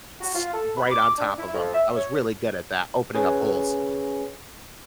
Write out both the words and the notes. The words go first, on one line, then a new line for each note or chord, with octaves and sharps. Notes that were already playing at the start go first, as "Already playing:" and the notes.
s right on top of him, I was really good at that, opening up holes.
F#4
F4
A4
B5
D6
D4
E4
F2
E5
C#5
C#4 G#4 B4 C#5